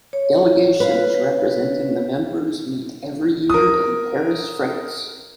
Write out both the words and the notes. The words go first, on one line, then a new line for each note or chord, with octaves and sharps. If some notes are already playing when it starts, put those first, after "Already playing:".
Delegations representing the members meet every year in Paris, France.
C#5
B4 F5
A#4 D#6